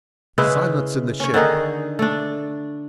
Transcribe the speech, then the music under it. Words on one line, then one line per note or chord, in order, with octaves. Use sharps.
"Silence in the ship!"
C#3 G#3 E4 B4
C#4 C#5
D3 D#3 D#4 G#4
A3 D4